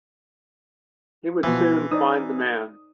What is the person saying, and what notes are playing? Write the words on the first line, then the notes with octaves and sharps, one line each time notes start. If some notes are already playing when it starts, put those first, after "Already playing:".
He would soon find the man.
B2 E3 F3
D#4 C5 D5 D#6